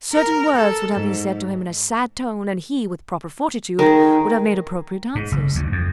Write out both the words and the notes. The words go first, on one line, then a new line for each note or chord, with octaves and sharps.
Certain words would have been said to him in a sad tone, and he, with proper fortitude, would have made appropriate answers.
A#4
A4
G#2
D#3 G#4 A#4
G#2
F#1
D2
F2